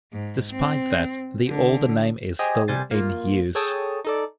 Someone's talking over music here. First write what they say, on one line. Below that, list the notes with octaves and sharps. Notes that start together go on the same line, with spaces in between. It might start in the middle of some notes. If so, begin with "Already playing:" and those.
Despite that, the older name is still in use.
G#2
C4
D3
G4 G#4 C5 D#5 G#5
C3 G3 C5 G#5 A6 C7
A#3 F4
G#4 A4 C#5 G5 A5 D#6
D#4 A4 D5